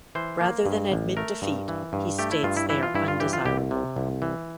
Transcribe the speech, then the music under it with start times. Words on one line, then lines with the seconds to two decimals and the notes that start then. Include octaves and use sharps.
Rather than admit defeat, he states they are undesirable.
0.15 E3 C5
0.41 A#3
0.66 G2
0.92 A1
1.17 A3 A#4
1.42 G2
1.68 E3
1.93 G2
2.19 A3 G4
2.32 E4
2.43 G2 F4
2.57 E4
2.69 E3 E4
2.83 F4
2.95 G2 E4
3.08 F4
3.20 E3 G4
3.33 F4
3.45 C2 G4
3.71 C3
3.96 C2
4.22 E3